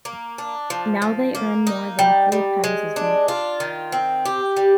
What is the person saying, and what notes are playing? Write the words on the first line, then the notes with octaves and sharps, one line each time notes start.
Now they earn more than three times as much.
A#3
D4
F3
F3
A#3
D#4
G3
G3
G#3
D4
F4
D#3
C4
G4
G3